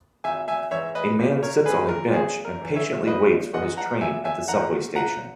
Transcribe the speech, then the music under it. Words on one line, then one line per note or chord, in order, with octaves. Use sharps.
A man sits on a bench and patiently waits for his train at the subway station.
G#1 E5 G#5
E5 G#5
G#2 E3 C#5 E5
B4 D#5
G#1
A#4 C#5
G#2 E3 G#4 B4
A#4
G#1 G#4
A#4
G#2 E3
C#5 E5
G#1 B4 D#5
G#2 E3 D#5 F#5
F#5 A#5
G#1 E5 G#5
E5 G#5
G#2 D#3 F#5 A#5
G#1 F#5 A#5